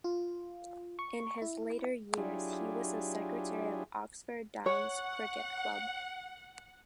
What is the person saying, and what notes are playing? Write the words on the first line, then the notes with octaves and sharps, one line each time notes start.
In his later years he was the secretary of Oxford Downs Cricket Club.
F4
C#6
E4
F#3 D4 E4 F4 G4 G#4
C#5 F#5